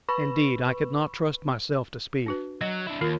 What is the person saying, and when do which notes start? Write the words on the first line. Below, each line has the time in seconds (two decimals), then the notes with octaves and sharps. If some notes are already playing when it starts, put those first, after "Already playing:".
Indeed, I could not trust myself to speak.
0.09 B4 B5 C#6
2.26 D4 F#4 B4
2.61 F#3 D#5
2.87 D4 E4
3.01 D#2 F4 A#4